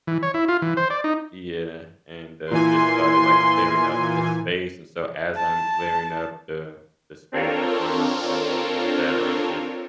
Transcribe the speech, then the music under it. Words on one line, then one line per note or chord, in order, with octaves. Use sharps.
Yeah, and, uh, just started, like, clearing up the space, and so as I'm clearing up the the space and clearing out the land, and all that, I'm just
E3
C#5
E4
F4
E3
C5
D5
D#4
A#2 E3 G#5 C6
A5
C4 D4 F4 A4 A#4 C#5